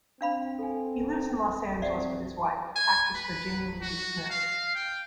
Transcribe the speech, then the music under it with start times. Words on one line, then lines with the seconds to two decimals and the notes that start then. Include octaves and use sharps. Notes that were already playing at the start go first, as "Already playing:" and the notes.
He lives in Los Angeles with his wife, actress Virginia Louise Smith.
0.21 C4 D4 F5 B5
0.59 A4 G#5
1.82 C4 D5 E5 F#5
2.76 G#5
3.15 B4
3.81 F#4
4.30 F5
4.75 G5